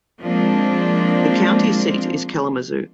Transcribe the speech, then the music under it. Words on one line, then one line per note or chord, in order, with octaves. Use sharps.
The county seat is Kalamazoo.
F3 G#3 A#3 C4 D4